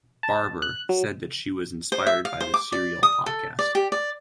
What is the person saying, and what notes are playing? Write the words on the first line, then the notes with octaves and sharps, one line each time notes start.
Barber said that she was inspired by the Serial podcast.
A5
F#6
F#3
C5
E5
F5
C5
D6
D5
D#6
A4
D5
G4
D5